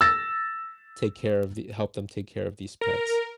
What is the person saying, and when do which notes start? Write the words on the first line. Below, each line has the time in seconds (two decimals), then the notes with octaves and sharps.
take care of the help them take care of these pets.
0.01 E6 A6 A#6
2.81 A#4